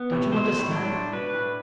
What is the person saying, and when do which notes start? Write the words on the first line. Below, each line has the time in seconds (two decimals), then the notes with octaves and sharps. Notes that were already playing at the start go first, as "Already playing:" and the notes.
Don't you understand?
Already playing: B3
0.11 A2 C3
0.32 B2 C5
0.59 A2
0.72 D4
0.86 A2
1.13 B2 B4
1.33 A2